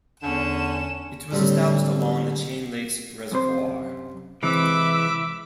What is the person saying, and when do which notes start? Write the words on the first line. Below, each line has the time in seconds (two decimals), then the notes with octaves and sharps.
It was established along the Chain Lakes Reservoir.
0.23 E2 D3 C#4 E7
1.31 A2 D3 F#3 G3 C4
3.32 F#2 C3 C5
4.43 C3 E3 G#3 E5 B5 D6